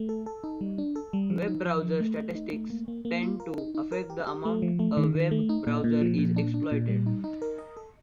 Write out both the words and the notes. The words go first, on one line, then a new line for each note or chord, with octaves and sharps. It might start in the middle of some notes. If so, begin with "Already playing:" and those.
Web browser statistics tend to affect the amount a Web browser is exploited.
Already playing: A3
A4
A4
D#4
G3
D4
A4
G3
F3
D#4
F3
F3
A3
A3
D#4
A3
A#3
A#3
A#3
F4
A#4
D#4
D#4
A#4
G4
G4
A3
F3
A3
D#3
D#3
A3
D#4
A#2
A#2
F3
A#2
D4
D4
A#2
G3
D#4
D#4
A#4
D#5
A4